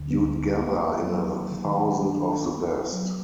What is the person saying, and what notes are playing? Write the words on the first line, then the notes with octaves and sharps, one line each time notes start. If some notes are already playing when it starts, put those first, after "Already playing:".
You'd gather in a thousand of the best.
Already playing: D2 D3
B3
A#3
F#3
D#3
D4
B3
F#3